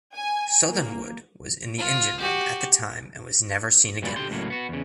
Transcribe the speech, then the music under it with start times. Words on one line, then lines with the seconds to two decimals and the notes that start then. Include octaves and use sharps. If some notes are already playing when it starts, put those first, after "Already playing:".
Southernwood was in the engine room at the time and was never seen again.
0.15 G#5
0.69 A#3
1.78 F4
2.18 F#4 G4
4.02 G2 A#2 F#3 G#3 D5 B5
4.16 D3 G4 C6
4.30 C#2 A2 F#3 A#3
4.50 B3 F#4
4.69 E2 C#3